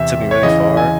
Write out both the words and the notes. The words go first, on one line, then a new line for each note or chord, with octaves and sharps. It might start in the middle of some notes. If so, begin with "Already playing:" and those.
took me really far,
Already playing: E2 C3 E5
C#5
E2 C#3 E3 D#5
G#5